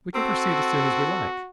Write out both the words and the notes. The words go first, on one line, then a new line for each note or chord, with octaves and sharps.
We can proceed as soon as we like.
C4 F#4 A4